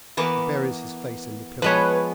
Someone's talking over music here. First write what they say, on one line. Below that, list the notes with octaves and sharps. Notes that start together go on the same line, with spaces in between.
He buries his face in the pillow.
E3 A#3 B3
F3 G#3 B3 B4 C#5